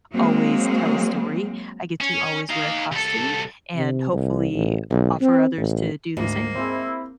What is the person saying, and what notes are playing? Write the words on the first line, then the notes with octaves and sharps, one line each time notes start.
always tell a story, I get to always wear a costume and hopefully, offer others to do the same.
F#3 G#3 A#3 C4
C#4
D#4 F5
C2 A4
C3
C2
A1
B1
C4
A1
D2 G#2 A#3
C4 E4 G#4